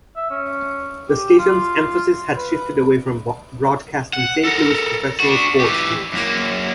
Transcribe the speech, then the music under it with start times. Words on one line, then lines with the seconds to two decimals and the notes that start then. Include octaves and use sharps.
The station's emphasis had shifted away from broadcasting Saint Louis professional sports teams.
0.16 E5
0.31 C#4
1.09 G4
1.39 F4
2.36 B4
4.14 F#5
4.45 A4 A#4
5.20 D4 F#4
5.60 E3 G4
6.13 F#2 A#3